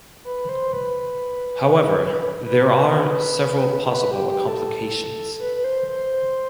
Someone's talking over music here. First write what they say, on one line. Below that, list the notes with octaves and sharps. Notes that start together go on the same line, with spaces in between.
However, there are several possible complications.
B4
C5
B4
B4
B4
G4
G4
A4
B4
B4
C5
C5